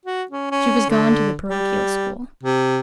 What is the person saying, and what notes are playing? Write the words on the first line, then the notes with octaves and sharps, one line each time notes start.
She was gone to the parochial school.
F#4
C#4
C#4
D3
G3
C3